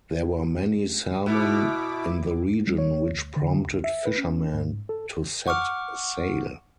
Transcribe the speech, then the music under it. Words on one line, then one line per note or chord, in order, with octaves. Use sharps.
There were many salmon in the region, which prompted fishermen to set sail.
B2 E4 D6
G3
C#5
D2
D3
C#2
E5
B4
C#4
G#2
A4
F#5 C#6 D6 F6